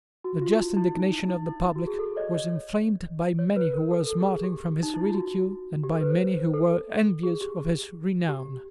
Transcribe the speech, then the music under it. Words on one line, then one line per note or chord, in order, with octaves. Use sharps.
The just indignation of the public was inflamed by many who were smarting from his ridicule, and by many who were envious of his renown.
F#4
F4
E4
E4
D#4
E4
E4
E4
E4
F#4
G#4
A4
C#5 D#5
C#5 D#5
C#5
B4
A#4
A4
A4
G#4
G4
D#4
E4
F4
F#4
G4
A4
B4
C5
A4
G#4
G4
G4